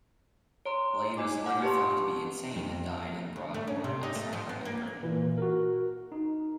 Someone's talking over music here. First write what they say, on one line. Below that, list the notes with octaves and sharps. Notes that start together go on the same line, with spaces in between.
Ley was later found to be insane and died in Broadmoor Asylum in Britain.
C#5 A#5 C6
D#4 F4 D#5 G#5 D6
F#5 D6 F6 G6
G4 B4 A5 C6 C#6
F2
D2
A3
C#4
C3
D#4
A3
F3
B3
A#3
A#2 E3
F#4 A#4
D#4